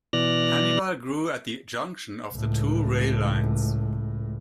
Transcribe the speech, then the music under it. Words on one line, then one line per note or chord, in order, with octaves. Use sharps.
Hannibal grew at the junction of the two rail lines.
B2 E3 D5 F6 F#6 A#6
C#2 A2